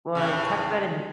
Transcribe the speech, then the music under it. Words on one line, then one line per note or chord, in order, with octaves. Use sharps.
Boy, talk about am
D#2 A2 C#3